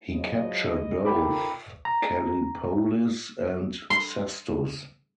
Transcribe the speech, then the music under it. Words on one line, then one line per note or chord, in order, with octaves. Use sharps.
He captured both Callipolis and Sestus.
F3 F#3 G#3 B4 D#5
C4 D#4 F4 A4 A#4 G5 B5 D6
A#5
C6